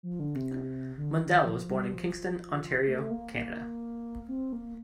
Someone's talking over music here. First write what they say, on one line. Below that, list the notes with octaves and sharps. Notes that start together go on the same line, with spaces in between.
Mundell was born in Kingston, Ontario, Canada.
F3
D3
C3
D3
D#3
D#3
F3
G3
F3
A3
A#3
A#3
C4
A#3